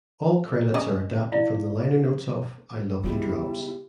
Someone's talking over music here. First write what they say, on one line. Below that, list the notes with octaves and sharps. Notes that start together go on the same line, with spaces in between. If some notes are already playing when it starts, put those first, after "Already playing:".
All credits are adapted from the liner notes of "I Love You Drops".
C#4 D#5
E4 D5 F5
C#3 G3 G#3 B3 E4 G4